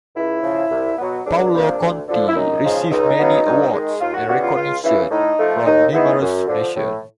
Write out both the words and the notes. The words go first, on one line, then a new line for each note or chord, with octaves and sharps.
Paolo Conte received many awards and recognitions from numerous nations.
C#2 E4
C#3 F3
C2
B2 F#3 B3
C#2 D4
C3 F3 A#3
D2
D3 F3
E4
F#2 D#4
C#3 F3 G#3
C#2 D#4
C#3 F#3 B3
G2
D#3 G#3
D#2 F4
F#4
C#3 E3 G3 B3 F#4
F4
C#2 F4
C#3 E3 E4
A2 D#4
F3 A3
D#2 D#4
D#3 G#3 B3 E4
F#2
D3 F3
A2